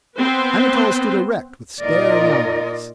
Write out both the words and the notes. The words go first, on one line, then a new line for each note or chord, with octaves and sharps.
Anatole stood erect with staring eyes.
B3 C4 B4 C5
A#2 D#4 F4 A#4 D5 D#5